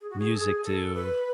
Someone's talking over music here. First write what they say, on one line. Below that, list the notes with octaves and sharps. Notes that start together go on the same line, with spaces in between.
music to
G#4
F#4
G#4
A4
G#4
A4
B4